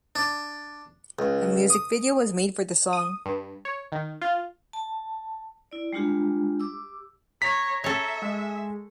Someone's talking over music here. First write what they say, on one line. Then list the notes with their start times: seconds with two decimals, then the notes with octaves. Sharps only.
A music video was made for the song.
0.15 D4
1.19 C#2
1.70 D#6
2.93 D#6
3.26 G2
3.65 C#5
3.92 D#3
4.21 F4
4.73 A5
5.72 E4 D5
5.93 G3 G#3 D4 F4 G4
6.60 G4 D6 E6
7.42 C#5 A#5 B6
7.84 A4 C#5 E5
8.22 G#3